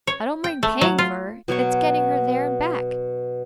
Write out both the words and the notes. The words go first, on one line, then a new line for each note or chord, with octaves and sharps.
I don't mind paying for her; it's getting her there and back.
C#5
G5
A3
F#3
F4
B2 F#3 C#5 C#6